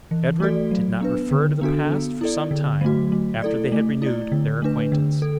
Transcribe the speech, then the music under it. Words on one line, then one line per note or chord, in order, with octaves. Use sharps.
Edward did not refer to the past for some time after they had renewed their acquaintance.
E3
A3 F#4 A4 D5
F#3
B3 D4 B4
D3
B3 D4 F#4 A4
B3
E4 A4 D5
D3
F#3 A3 F#4
A3
E4 A4 D5
A3
E4 D5
D3
A3 D4 B4
D3
A4